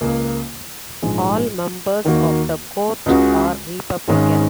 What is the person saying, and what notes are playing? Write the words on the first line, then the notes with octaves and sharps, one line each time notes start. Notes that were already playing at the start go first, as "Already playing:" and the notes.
All members of the court are Republican.
C#2 C#3 A#3
A#1 G#2 G#3
D#2 D#3 A#3 F#4
C#2 C#3 G#3 F#4
G#1 G#2 D#3 G#3 C#4